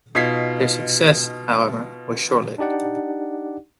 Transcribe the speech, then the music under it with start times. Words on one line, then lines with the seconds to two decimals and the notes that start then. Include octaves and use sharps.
Their success, however, was short-lived.
0.15 B2 D#4 F4 G#6 B6 C7
2.58 D4 D#4 G4 D5 F#5